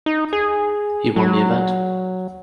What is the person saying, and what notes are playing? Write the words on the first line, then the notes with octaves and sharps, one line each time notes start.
He won the event.
D#4
G#4
F#3